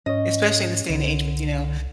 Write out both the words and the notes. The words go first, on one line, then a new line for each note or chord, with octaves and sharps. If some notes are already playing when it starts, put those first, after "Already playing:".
Especially in this day and age with, you know,
G#2 C#4 C#5 D#5
C2 D3